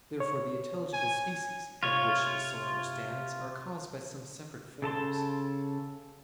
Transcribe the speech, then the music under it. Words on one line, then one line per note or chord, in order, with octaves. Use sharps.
Therefore the intelligible species, by which the soul understands, are caused by some separate forms.
C#5
G#5
C3 F4 C#5
C#3 A4 A5 C6